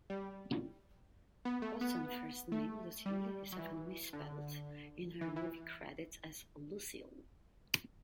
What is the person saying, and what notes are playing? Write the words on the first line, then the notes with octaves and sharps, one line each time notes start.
Watson's first name, Lucile, is often misspelled in her movie credits as Lucille.
G3
B3
A3
B3
A3
G3
F#3
E3
D3
E3
E3